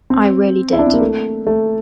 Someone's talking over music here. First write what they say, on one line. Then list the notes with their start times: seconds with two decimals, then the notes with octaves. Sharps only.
I really did.
0.10 C4
0.73 E4
0.79 D4
0.87 C4
0.94 A#3
1.01 A3
1.47 A3